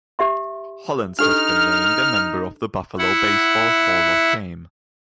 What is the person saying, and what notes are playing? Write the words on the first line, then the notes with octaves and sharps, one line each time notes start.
Hollins has been named a member of the Buffalo Baseball Hall of Fame.
G4 E5 C6
D4 D#4 G4 A4 F6
E4 F#5